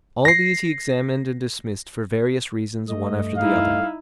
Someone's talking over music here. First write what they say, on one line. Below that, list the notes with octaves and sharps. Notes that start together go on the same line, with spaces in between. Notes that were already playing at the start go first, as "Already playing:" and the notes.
All these he examined and dismissed for various reasons one after the other.
A#6 C7
G2 A3 D#5
D#4 E4 F5